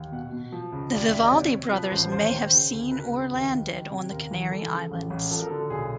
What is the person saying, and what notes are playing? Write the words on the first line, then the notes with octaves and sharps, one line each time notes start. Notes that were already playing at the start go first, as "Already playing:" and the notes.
The Vivaldi brothers may have seen or landed on the Canary Islands.
Already playing: D#2
B2 F#5
B2
F3
C#2
D#2 D5
D#2 E5
D#5
D5
C3 C#5
C3
F3 B4
A1 C5
D#2 C5
C#5
D#3 C5
C#3
D2
C#2 B4
A#4
C#2 B4
D#2
D#3
D#3
C3
D#2 A#4
E3
E3 A4
C#3
A1
A1
F3 A4
A#4
D3 A4
B1 G#4